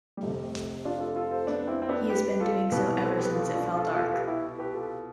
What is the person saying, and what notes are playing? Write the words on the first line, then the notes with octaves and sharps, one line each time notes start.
He has been doing so ever since it fell dark.
G3
F1 F2 C3 A3
D4 F4
F4 A4
F4 A4
A4 C5
B3 D4
C4 E4
C4
B3 D4
G4 B4
F4 A4
C2 B2 G4 B4
B4
A4 C5
G4 B4
F4 A4
D4 F4
F4 A4
F4 A4
G4 B4
E4 G4
G4 B4
F4 A4